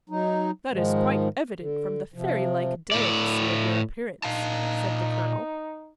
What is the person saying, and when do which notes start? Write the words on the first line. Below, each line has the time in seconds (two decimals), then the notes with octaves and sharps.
"That is quite evident from the fairy-like delicacy of your appearance," said the colonel.
0.09 F#3 D#4
0.72 G#2 D#3 F3 G#3
1.59 D3
2.14 C3 F3
2.92 A2 D5
4.24 A#2 D#4 F5 A5